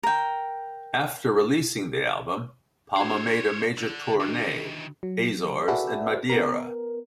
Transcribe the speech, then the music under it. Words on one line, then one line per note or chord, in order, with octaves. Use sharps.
After releasing the album, Palma made a major Tournee, Azores and Madeira.
A#4 G5
D4 F#4 C5 C#5
D3
D#3 E3 D4 F#4
F#3
F#4 G#4 A4 B4 D5 E5
B3 A#4